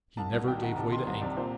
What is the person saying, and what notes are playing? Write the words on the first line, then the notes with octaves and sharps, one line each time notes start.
He never gave way to anger.
C2 A5
C2
D#3 G5
D#3 F#5
C3 A5
D#3 C6
C2 A#5
C3 D5
A#2 C5